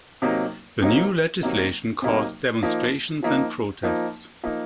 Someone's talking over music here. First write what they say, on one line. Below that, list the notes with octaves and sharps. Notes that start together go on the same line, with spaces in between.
The new legislation caused demonstrations and protests.
C3 F#3 A#3 D#4
C3 F#3 A#3 D#4
C3 F#3 A#3 D#4
C3 F#3 A#3 D#4
F3 A#3 D#4
F3 A#3 D#4
F3 A#3 D#4
F3 A#3 D#4